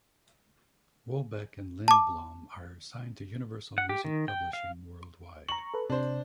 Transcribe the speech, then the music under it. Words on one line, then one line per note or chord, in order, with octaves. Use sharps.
Wollbeck and Lindblom are signed to Universal Music Publishing world wide.
A5 D6
F#5
G4
D#3
G5
F5
A#5 C#6 F#7
A4 B4
C3 D4 C5